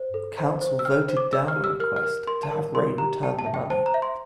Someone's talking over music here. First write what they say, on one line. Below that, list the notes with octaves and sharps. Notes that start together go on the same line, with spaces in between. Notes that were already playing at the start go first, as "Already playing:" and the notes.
Council voted down a request to have Rae return the money.
Already playing: C5
A4
C5
C5
E6
G5 F6
C5
D6
D5 E6
F6
G4
E6
A#4 F6
F6
A#4
A#4 C6
A5
A#4
A#4 C6
G4 A#5
G5 A5
A5
E5
G5
C5 A5
A#5
E5
C6